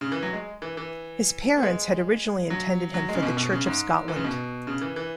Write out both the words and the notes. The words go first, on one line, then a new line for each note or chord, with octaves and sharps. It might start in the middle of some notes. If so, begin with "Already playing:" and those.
His parents had originally intended him for the Church of Scotland.
C#3
E3
F#3
G#3
E3
E3
B3
G#3
F#3
F#3
G#3
C#3
B2
B2
C#3
G#2
E3
C#3
B2
C#3
E3
E3